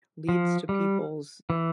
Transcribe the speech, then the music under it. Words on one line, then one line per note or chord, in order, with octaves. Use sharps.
leads to people's,
F3
G3
E3